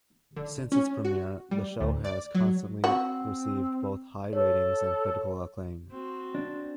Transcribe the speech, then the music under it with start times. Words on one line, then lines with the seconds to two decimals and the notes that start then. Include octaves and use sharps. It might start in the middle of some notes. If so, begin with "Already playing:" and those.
Since its premiere, the show has constantly received both high ratings and critical acclaim.
0.36 D3
0.72 C#4
1.05 F#4
1.51 G3
1.81 D2
2.04 D5
2.35 F#3
2.84 C4 F#4
4.33 A4 C#5
5.91 C4 F#4
6.35 D4